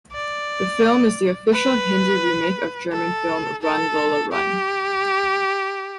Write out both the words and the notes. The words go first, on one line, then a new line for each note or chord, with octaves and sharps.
The film is the official Hindi remake of German film "Run Lola Run".
D5
B4
A4
A4
G4